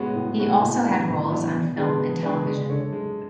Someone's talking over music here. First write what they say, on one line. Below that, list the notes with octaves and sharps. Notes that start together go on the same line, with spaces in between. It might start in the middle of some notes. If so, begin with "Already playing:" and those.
He also had roles on film and television.
Already playing: A2 G#3 B3 F#4 C#5
A2
G#3 B3 F#4 C#5
A2
E3 B3 D4
A2
E3 B3 D4
B2
G#3 D4 G#4 B4
B2
G#3 D4 G#4 B4
G#3
D4 A4 C#5
G#3